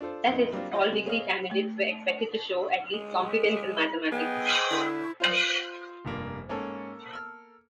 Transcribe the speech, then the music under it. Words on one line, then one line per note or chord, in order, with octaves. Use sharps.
That is, all degree candidates were expected to show at least competence in mathematics.
D4 F4 A4 C5
F2 A#2 B3 D#4 E4
F#3 G3 A#3 C4 D4 F4
G3 F4 C#5 D#5 G5
C3 G#3
B3 G#4 C#5 D#5 F5
A3
G#3
B3 G#4 D#5 G5
D3 E4
F4 C5
F1 G2 A#3
G#2 A#3 C#4 A4
E6 F6